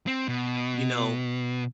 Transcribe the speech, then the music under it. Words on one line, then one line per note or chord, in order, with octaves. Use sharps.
you know,
C4
B2